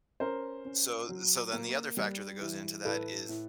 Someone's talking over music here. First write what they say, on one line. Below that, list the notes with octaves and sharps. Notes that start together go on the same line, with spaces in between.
So so then the other factor that goes into that is
C#4 A#4 C5
C#4
F#3
A#3
G3
E3
A2 A4 B4
A2